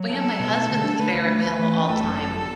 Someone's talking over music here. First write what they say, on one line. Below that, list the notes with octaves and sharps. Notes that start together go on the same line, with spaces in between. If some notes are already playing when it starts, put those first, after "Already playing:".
Well, you know, my husband's favorite meal of all time
Already playing: F#3
B3 A4
B3
B2
A3
D3
D4
A3 B4
D2
A3
A3
E3
A3
G1 A4
F#2
G1